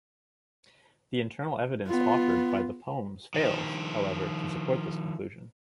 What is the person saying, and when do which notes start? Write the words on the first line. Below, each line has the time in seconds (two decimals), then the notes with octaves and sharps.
The internal evidence offered by the poems fails, however, to support this conclusion.
1.87 B3 F4
3.34 D#3 F3